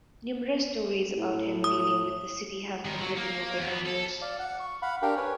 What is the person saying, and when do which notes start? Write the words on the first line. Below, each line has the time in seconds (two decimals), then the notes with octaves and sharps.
Numerous stories about him dealing with the city have been written over the years.
1.18 A2
1.64 D#6
2.85 G#2 D#3
3.00 F#3
3.17 A#3
3.57 E2 B3
3.86 A4
4.21 D5 F5
4.39 F#5
4.60 C#6
4.82 F5 F#5 B5
5.02 D4 G4 A#4 F5 G5
5.17 B4 C#5 G#5